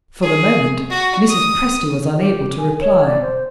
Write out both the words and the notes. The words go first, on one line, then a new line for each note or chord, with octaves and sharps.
For the moment, Mrs. Presty was unable to reply.
G#4
F#4
D#6
G4
G#5
C#5
D5
C5